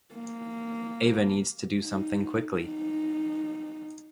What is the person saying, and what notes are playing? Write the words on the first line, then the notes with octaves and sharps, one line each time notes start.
Ava needs to do something quickly.
A#3
D#4
D#4